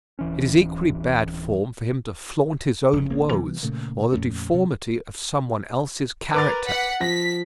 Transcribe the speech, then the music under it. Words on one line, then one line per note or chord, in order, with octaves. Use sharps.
It is equally bad form for him to flaunt his own woes, or the deformity of some one else's character.
D1 E3 C#4
F1 F2 G#2
A1 A#3 C4
C3 E3 G3 B3
A#2 C#3 A3 A#3
F2 A#2 A3 C#4
C3 F#3
A#4 B4 D6 A6
F#5 B6
F3 A#6 B6